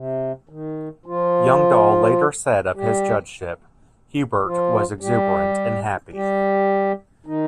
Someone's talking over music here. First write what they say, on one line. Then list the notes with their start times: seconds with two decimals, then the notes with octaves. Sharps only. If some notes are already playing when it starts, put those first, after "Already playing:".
Youngdahl later said of his judgeship: Hubert was exuberant and happy.
Already playing: C3
0.49 D#3
1.06 F3 F4
2.75 G3 G4
4.44 F3 F4
5.00 G3 G4
6.13 G3 G4
7.26 D#3 D#4